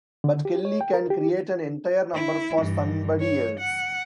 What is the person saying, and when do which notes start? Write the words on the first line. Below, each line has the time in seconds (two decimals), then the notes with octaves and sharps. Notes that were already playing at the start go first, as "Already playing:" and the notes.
But Kelly can create an entire number for somebody else ...
0.24 D3
0.45 G4
0.65 C#5
0.81 G5
0.94 A#4
1.10 G4
2.15 E4
2.59 G2 E3
3.20 C#5
3.60 F#5